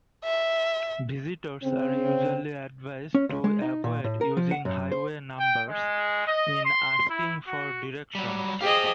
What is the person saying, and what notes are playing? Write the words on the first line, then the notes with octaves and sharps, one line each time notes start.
Visitors are usually advised to avoid using highway numbers in asking for directions.
E5
C#3 C4
C#4
C#2
G#3
D#4
A#2
A2
A#4
F3
F#5
F#2
C5
G5
G#3
D#5
C6
E4
F#4
F#3 G3
G4 G#4 C5 D#5 F5